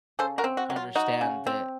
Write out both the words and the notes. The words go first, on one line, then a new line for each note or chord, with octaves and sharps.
understand that,
C#3 A4 C5
F#4 A#4
C4
F#4
F#3
F4
D#4 F#4
C#3
C4